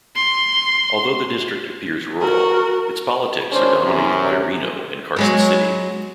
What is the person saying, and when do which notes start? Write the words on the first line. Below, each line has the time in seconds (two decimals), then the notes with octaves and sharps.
Although the district appears rural, its politics are dominated by Reno and Carson City.
0.15 C6
2.20 F#4 A#4
3.52 G#1 C#4 D4 C5
3.83 F#2 C3
5.16 F#3 G#3 B3